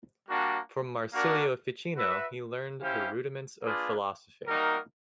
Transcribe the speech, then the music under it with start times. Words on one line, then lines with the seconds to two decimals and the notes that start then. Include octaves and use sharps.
From Marsilio Ficino he learned the rudiments of philosophy.
0.29 G3 A#3 D4 F#4
1.12 A#3 D4 F#4 A#4
1.97 F#4 B4 E5
2.80 C#4 E4 G4 C5 F5
3.64 A#3 D4 F4 G#4 B4
4.48 G3 A#3 D#4 F#4 A#4